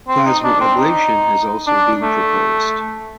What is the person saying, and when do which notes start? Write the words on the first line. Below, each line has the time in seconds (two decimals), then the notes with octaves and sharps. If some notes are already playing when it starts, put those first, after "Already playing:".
Plasma ablation has also been proposed.
0.08 C4
0.26 D#4
0.44 D4
0.61 C4
0.79 D#4
1.67 D4
2.02 A3